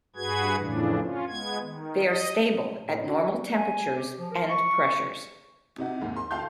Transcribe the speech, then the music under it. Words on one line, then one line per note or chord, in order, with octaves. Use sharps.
They are stable at normal temperatures and pressures.
G2 F#4 G#4 B4 G#6
F2 A2 C#3 E3 D4
C#4 F4
G#3 B3 G#6
D#3
D#5
A2
F#4
G#5
G4
F3
A#4
C#6
C3 D#4 F#4
D#2 G#2
C6
D2 F5 G5 A5 C6 G6